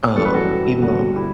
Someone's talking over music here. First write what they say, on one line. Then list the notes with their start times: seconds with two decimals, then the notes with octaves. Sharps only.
um, even though I'm not a
0.15 F#2 E3 G3 A4
0.25 B4
0.34 F#4 A4
0.82 D2 D3 G3 F#4
1.16 E4 G4